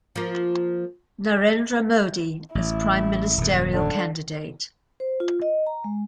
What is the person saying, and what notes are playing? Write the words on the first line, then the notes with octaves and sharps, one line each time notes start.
Narendra Modi as Prime Ministerial Candidate.
F3 A#3
A1 E4
D#1 F#2
D3
C5
F4
D#5
A#5
G#3